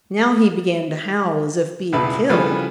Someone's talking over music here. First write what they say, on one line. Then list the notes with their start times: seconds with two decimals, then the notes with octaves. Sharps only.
Now he began to howl as if being killed.
1.93 E1 C#2 E4 B4 A5 B5
2.29 C#3 E3 F3 G3 A4 B4